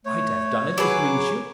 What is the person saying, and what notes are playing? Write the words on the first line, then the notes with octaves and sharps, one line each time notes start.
"I'd have done it to please you."
A3 C#5
F#3 G#4 B4 D6